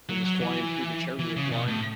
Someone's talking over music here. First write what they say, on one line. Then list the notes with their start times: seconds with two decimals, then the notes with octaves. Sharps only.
you're just flying through the chairlift line.
0.09 F#3
0.25 F#3
0.41 E3
1.20 E3
1.37 C#3
1.51 B2
1.68 A2